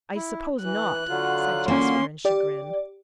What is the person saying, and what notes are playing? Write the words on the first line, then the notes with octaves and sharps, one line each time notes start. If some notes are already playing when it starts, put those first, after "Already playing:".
"I suppose not," said Jasper in chagrin.
E4
E3 F#6
D3 F#3 F4
A#3 C#4 C6
G4 D5